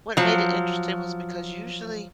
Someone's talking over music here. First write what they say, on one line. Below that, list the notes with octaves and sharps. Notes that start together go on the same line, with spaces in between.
what made it interesting was because, usually,
F3 F#3